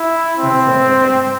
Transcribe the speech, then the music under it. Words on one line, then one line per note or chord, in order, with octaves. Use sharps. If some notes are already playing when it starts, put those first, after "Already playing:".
that's so funny.
Already playing: E4
C4